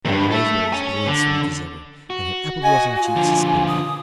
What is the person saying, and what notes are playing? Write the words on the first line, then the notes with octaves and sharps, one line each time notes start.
Her eyes were as blue and sweet as ever, and her apple-blossom cheeks as pink.
E2 G2
A4 E5
C#5 G#5
D3
F#4
D#5 G#5
F4 G#5
D3 F3
D#6